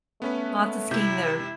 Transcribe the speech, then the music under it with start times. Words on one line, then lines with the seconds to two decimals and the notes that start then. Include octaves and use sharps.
lots of skiing there,
0.22 A3 B3 C#4 B4
0.91 C3 E4 E5 G6